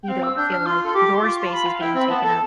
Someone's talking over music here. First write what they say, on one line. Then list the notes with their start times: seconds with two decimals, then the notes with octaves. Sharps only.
you don't feel like your space is being taken up
0.03 G5
0.08 C4 F5
0.23 E6
0.37 D4 G6
0.51 F6
0.66 F4 C6
0.84 A4 C6
0.94 G4 D6
1.14 C6
1.23 F4 D6
1.37 C6
1.46 A5
1.52 B5
1.66 F5
1.81 E4 G5
1.94 C4 B5
2.09 B3 A5
2.24 A4